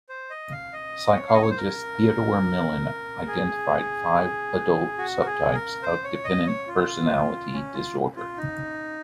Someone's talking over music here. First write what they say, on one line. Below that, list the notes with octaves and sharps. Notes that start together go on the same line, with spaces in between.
Psychologist Theodore Millon identified five adult subtypes of dependent personality disorder.
C5
D#5
F5
D#5
C#5
F5
D#5
C#5
C5
A#4
G#4
F#4
A#4
G#4
A#4
C5
C#5
D#5
C#5
F4
C#4
F4
F4
D#4